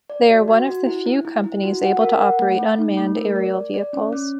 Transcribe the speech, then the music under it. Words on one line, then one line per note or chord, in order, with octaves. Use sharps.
They are one of the few companies able to operate unmanned aerial vehicles.
D5
F#4
F#4
F#4
E4
E4
E4
E4
F#4
F#5
A#4
F#5
A3
A3
D#4
A3
A#4
D5
D5
D5
C#4
C#4